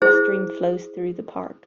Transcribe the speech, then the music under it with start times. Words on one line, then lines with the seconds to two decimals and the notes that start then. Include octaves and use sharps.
A stream flows through the park.
0.02 E4 G#4 C5